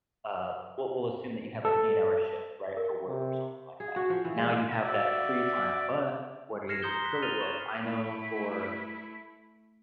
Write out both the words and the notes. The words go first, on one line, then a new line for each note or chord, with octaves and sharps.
uh we'll we'll assume that you had, like, an eight-hour shift, right? For work or something like that, now you have that free time, but what are you able to fill it with? I know for,
A4
A#4
C3
G#4
F#4
F3
E3
G#3
F#4 D5 E5
F6 G#6 A#6 C7 C#7 E7
A#5 C6 D#6 G6 G7
F#6 B6
F6 A6 D#7 F7 G7
B5 C#6 E7
A3 E4